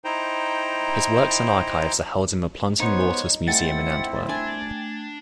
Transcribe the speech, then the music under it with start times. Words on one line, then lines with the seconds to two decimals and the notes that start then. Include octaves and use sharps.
His works and archives are held in the Plantin-Moretus Museum in Antwerp.
0.05 D#4 E4 C5 G5 A#5
2.80 B3 D#4 C5 C#5
3.48 A3 C4 E4 F#5 G5 A6
4.29 D4 G#5